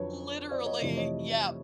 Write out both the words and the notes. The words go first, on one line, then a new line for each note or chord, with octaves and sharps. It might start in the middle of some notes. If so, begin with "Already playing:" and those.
Literally! Yep!
Already playing: F2 D3 F#3 B4 C#5
C5 D5
C#5 D#5
F2 C3 E3 A3 C5 D5
C#5 D#5